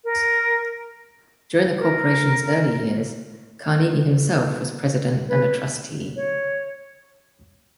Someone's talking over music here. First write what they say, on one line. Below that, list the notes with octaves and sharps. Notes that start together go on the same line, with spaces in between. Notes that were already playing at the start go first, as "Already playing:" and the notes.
During the corporation's early years, Carnegie himself was president and a trustee.
A#4
A#4
B4
C#5